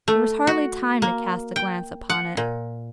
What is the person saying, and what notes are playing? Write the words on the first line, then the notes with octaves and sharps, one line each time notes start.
There was hardly time to cast a glance upon it.
A3
F#4
A#3
G5
F#5
A#2